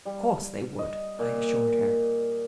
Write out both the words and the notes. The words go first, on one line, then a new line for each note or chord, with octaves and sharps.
"Of course they would," I assured her.
G3
D#5
A#2